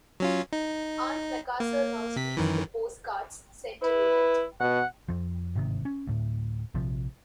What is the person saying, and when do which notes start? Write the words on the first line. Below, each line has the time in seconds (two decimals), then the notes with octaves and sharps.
Auntie Macassar now speaks in the postcards sent to Loonette.
0.20 F#3 C#4 F4
0.53 D#4
1.60 A#3
2.16 C3 B6
2.37 F#2 D#3 E3
3.83 E4 B4
4.60 B2 F#5
5.08 F2 F3
5.55 G1 G#2 C3 D#3
5.85 C#4
6.07 D2 A2
6.74 A#1 C3 F3